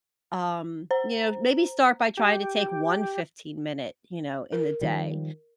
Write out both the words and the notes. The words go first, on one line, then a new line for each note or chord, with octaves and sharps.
um, you know, maybe start by trying to take one fifteen-minute, you know, in the day,
C5 A#5
G4
A#4
D#3 F3 G3